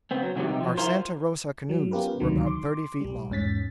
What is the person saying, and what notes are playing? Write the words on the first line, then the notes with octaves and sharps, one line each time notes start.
Our Santa Rosa canoes were about thirty feet long.
C#3 B3 C4
F#3
C3 D#3 F#3 G3 B3
C3 D#4 G4
F3 F#3
E4 F4 A#4 C5
F#3
B3 C#4 F4 G4 A#4 B4
D2 C3 D#3 F#3
C6 D6
B1 G3
E2 G#2 C#4 A6 B6